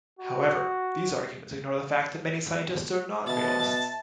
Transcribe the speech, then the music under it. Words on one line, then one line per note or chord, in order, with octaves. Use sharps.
However, these arguments ignore the fact that many scientists are not realists.
F#4
B2 E5 A5 A6